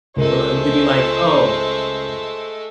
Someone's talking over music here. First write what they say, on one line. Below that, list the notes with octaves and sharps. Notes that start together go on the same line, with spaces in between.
Or, li would they be like, "Oh,
C#2 G#3 A3 A#4 C5